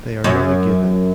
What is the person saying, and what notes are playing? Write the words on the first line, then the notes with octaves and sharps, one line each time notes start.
They are now given.
F#2